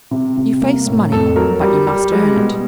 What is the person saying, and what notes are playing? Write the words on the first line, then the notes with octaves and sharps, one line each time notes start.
You face money, but you must earn it.
C3
C3
A#3
A2
F2 A4
F#3 A#4
G3
G3
G#3
B2